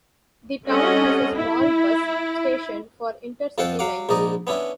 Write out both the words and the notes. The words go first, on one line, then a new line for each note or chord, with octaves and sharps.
The town has a small bus station for intercity lines.
G3 C4 C#4 A4 D#5 F#5
E4
F2 F4 A4 F#5 G5 A5
F#3 F5 F#5 D6
A#1 G#2 D#4 D5 D#5
B3 C#4 D4 E4